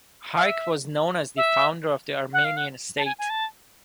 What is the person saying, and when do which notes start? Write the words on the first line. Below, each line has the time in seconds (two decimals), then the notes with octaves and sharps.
Hayk was known as the founder of the Armenian state.
0.36 F5
0.40 E5
1.37 E5
2.33 F#5
2.44 F5
2.57 F#5
2.98 A5
3.06 G#5
3.19 G#5
3.30 A5